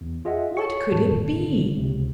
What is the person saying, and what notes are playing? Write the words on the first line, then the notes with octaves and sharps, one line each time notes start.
What could it be?
E2
F4 G#4 D#5 E5 F#5
C#5 C#6 C#7
F2 A2 A5
G#1 A#2 D3
C#2 C3